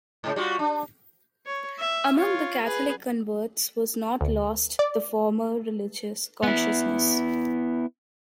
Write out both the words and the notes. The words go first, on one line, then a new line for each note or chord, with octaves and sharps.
Among the Catholic converts was not lost the former religious consciousness.
G#2 C#3
G3 F4 F#4
D4
C#5
E5
F4 C#5
G#4 B4
D2
D5
B3 E4